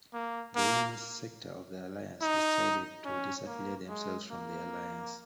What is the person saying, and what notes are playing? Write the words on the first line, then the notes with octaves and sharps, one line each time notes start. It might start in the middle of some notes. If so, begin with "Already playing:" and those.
The Unionist sector of the alliance, decided to disaffiliate themselves from the Alliance.
A#3
A#3
D#4
C#4
A#3
G#3
A#3